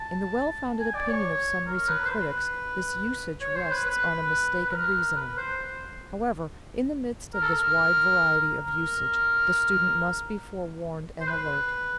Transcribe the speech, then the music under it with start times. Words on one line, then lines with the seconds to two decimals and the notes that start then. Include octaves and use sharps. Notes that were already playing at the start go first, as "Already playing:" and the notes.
In the well-founded opinion of some recent critics this usage rests on a mistaken reasoning. However, in the midst of this wide variety of usage the student must be forewarned and alert.
Already playing: A5
0.80 G#5
0.95 D5
1.09 C#5
1.67 A#4
1.89 B4
2.06 C5
2.11 B4
3.41 C#5
3.56 C5
3.71 B4
3.85 B4
4.67 B4
4.73 A#4
5.16 B4
5.38 C5
7.34 A#4
7.42 A4
7.51 A#4
8.65 A#4
11.21 C5
11.27 B4